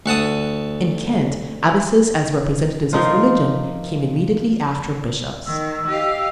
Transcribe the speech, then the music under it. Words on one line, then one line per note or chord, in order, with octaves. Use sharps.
In Kent abbesses, as representatives of religion, came immediately after bishops.
D2 F#5 A5 D#6
F3 A#3 D#4 F4
D#3 E6
G4 D#5 F5